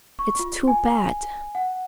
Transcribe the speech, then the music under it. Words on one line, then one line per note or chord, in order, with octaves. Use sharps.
It's too bad!
C#6
F4
G#5
F#5